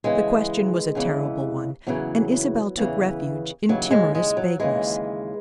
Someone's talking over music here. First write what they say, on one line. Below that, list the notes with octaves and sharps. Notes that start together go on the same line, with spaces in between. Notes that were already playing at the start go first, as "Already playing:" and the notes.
The question was a terrible one, and Isabel took refuge in timorous vagueness.
E2 C#3 E3 G#3
E2 C#3 E3
E2 C#3 E3 F#3
E2 C#3 E3
D#2 C#3 E3 F#3
G#3
G#3
F#3
D#2 C#3 E3 G#3